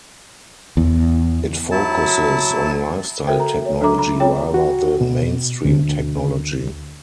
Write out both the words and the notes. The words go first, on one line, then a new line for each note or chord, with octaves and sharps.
It focuses on lifestyle technology rather than mainstream technology.
E2
F#3 E4 A5
F#4 A4 A#4 C5 E5 G5
A#5
C#5
F#3 D4 A4 E5 A#5 D6
A#5 B5
C4 F4 G#4 C#5 G5
F#4
B2
D2